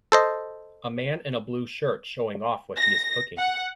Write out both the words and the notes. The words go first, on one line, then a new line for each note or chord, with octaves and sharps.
A man in a blue shirt showing off what he is cooking.
A4 C5 D#5
A#6
F#5